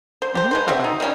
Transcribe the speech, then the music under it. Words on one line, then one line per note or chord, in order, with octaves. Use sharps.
Mhm, bye-bye.
C5
G4 C5
G#3 B4 C5
C4 F#4 E5
D#4
D#3 F3 G3 C#4